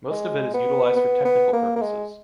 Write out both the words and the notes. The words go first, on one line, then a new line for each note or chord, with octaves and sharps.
Most of it is utilized for technical purposes.
G#3
B3
B3
B3
A#3
A#3
G#3